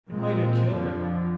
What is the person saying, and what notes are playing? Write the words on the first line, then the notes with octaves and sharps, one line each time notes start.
It mighta killed him.
A#2 G#3 C4
F2 D3 F3